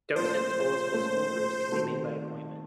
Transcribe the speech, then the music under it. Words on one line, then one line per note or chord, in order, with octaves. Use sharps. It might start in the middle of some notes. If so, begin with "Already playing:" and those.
Docent tours for school groups can be made by appointment.
A#2 F3 A3 C#4 A4 C5
A#2 F3 A3 C#4 A4
D#3 A3 C4 F#4 A4